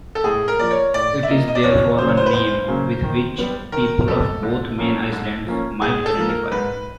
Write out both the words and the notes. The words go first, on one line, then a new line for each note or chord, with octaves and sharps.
It is therefore a name with which people of both main islands might identify.
A4
A2 G#4
A#4
F3 A#3 D5
C#5
A2 D5
E5
F3 A#3 D#5
D#5
D5
E2 C#5
C#3 F#3 A#3 C#4 C5
C#5
C5
B4
E2 C5
C#3 F#3 A#3 C#4
D#3
G3 B3
D#3 A#4
G3 B3 A4
G#2
F3 A#3 C#4
G#2
F3 A#3 C#4
G#2 G#4
A4
F3 A#3
A#4
G#2 B4